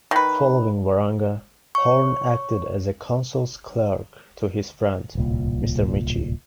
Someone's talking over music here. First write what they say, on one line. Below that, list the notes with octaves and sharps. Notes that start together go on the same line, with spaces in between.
Following Waranga, Horne acted as a "counsel's clerk to his friend, Mr Mitchie".
D#3 B4
C#5 C#6
D1 C2 A#2